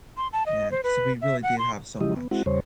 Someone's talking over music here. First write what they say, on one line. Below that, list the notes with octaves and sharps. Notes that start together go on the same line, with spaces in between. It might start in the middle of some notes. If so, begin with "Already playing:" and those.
and 'cause we really do have so much,
C6
A5
D#5
C5
B4
E5
F#5
C6
C#3 F3 G#3 E4 G4 D#5
B3
G#3 C4 E4 F#4 F#5
E2 C#3 G3 C5 C#5